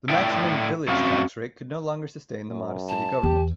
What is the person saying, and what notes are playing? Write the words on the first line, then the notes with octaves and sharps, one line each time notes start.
The maximum "Village" tax rate could no longer sustain the modest city government.
A2 D3 E4 A4 G5
F#2 A3 C4 F#4 C5 F5
F#2
A5
E2 G4